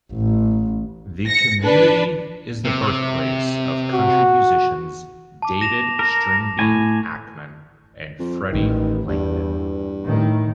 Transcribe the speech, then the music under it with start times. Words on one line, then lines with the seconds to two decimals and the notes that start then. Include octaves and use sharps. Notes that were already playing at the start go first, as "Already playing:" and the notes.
The community is the birthplace of country musicians David "Stringbean" Akeman and Freddie Langdon.
0.11 A1
1.27 A#6 C#7
1.63 D4 B4
2.65 C3
3.92 F#4
5.42 A5 D6
5.61 A#6 E7 F7
5.99 A#4
6.59 A2 G#5
8.19 F2
8.53 A1 D#3
9.08 E2 G2
10.05 A2 D#3